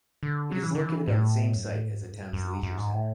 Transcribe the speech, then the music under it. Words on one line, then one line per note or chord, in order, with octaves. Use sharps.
It is located on the same site as the town's leisure centre.
D3
F#3
E3
D3
E3
G#2
A2
F#2
G#2
A2
G#2
F#2
G#2
F#2
F#2
F#2
G#2
A2